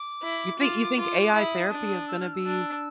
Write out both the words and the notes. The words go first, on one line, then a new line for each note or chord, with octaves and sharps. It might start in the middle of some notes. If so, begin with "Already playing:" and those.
You thi you think AI therapy is gonna be
Already playing: D6
E4
F4
F4
E4 D#6
D4
E6
F6
E6
D4